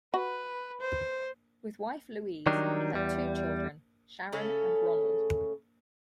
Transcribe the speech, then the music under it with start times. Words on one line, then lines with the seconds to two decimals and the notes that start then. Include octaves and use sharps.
With wife Louise, he had two children, Sharon and Ronald.
0.14 F#4 B4
0.80 C5
2.46 D#3 F#3 G3 D4 D#4
2.93 E2 G3
4.32 C#3 A3 C#4 A4